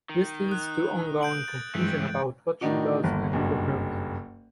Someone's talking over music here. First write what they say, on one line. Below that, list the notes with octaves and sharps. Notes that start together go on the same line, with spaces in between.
This leads to ongoing confusion about what she does and for whom.
D#3
D#6 F#6
G6 D7 F#7
A6
G2 E3 G#3 A3 C4
A2 D#3 D4 D#4 F#4
G1 D#2
F#1 B1 G2